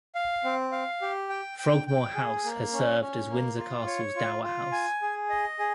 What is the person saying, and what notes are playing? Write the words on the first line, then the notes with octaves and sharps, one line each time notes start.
Frogmore House has served as Windsor Castle's dower house.
F5
C4
F5
G4
G5
G5
G5
G#4
A#3
C#4
C#4
A#3
F4
C#5
F4
F4
G#5
G#4
D#5
G#4